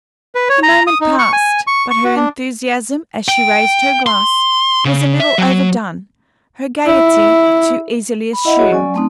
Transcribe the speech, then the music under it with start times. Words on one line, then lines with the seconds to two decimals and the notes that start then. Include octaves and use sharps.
The moment passed, but her enthusiasm, as she raised her glass, was a little overdone, her gaiety too easily assumed.
0.35 B4
0.49 C#5
0.63 A#5
0.87 D#6
1.01 D#4
1.19 C#6
1.33 G#5
1.67 C#6
1.91 C#6
2.04 F#4
2.16 D4
3.28 G5
4.06 C6
4.85 C#3
5.20 E5
5.38 F#3
6.86 E4
8.33 B5
8.45 E4 D#5 E5 F#5 B5
8.58 F#4 G#4 C#5 D#5 F#5
8.71 F#3 C#4 D5 G#5
8.94 A3 C4 D#4